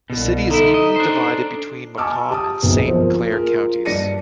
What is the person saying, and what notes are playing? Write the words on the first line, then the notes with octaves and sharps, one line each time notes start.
The city is evenly divided between Macomb and Saint Clair counties.
C2 B2
D3 D#4 E4 A4
D#5
D4 C5
G#5 A5 C#6 D6 E6 F6
G4 A5 D#6
E1 B1 C3 B3
F3 A#4 C5
F4 G#4 A#4
G2 D4 D5 A#6 C#7 D#7